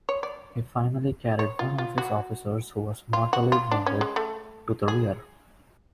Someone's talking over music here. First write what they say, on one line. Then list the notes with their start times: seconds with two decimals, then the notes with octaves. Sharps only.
He finally carried one of his officers who was mortally wounded, to the rear.
0.09 C#5
0.23 D5
1.39 C#5
1.59 F4
1.78 F4
1.98 F#4
3.13 F4
3.33 F#4
3.52 F4
3.71 D4
3.86 C#4
4.01 G#3
4.16 A3
4.88 G#4